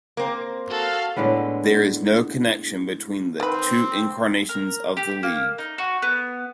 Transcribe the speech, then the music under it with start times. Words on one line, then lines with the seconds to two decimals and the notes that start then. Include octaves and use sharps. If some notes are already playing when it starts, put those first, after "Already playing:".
There is no connection between the two incarnations of the league.
0.17 A#3 C4
0.70 F#4 A4 F5
1.16 A2 D3 G#3 B3
3.40 D#3 C4 B4
4.49 A#4
4.97 G4
5.23 A#3
5.58 D#4
5.78 F#4
6.02 B3